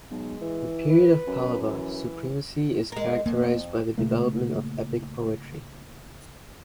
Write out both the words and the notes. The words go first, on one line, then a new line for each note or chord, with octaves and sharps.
The period of Pallava supremacy is characterized by the development of epic poetry.
B1 G#3
E3
B4
F#2
E3
G#3 A#4
F2 A#3
A#2 C#3 A3 A#3